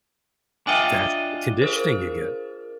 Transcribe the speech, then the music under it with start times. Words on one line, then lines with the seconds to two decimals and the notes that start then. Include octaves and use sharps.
that's the conditioning you get.
0.67 D4 F4 D#5 E5 G5 G#5
1.62 G#4 A#4 C5